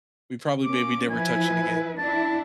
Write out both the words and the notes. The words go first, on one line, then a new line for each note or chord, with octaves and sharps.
we probably maybe never touched it again
A#3 C#4 D6
F3 E4 B4 G#5
D4 E4 A5